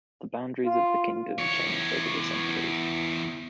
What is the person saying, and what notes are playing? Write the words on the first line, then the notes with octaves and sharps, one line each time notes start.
The boundaries of the kingdom changed over the centuries.
F4
E2 C#5